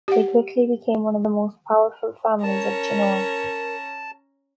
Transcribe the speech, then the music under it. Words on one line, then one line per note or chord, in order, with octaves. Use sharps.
They quickly became one of the most powerful families of Genoa.
G4 F#5
C#4 A#4 C#5 A5 A#5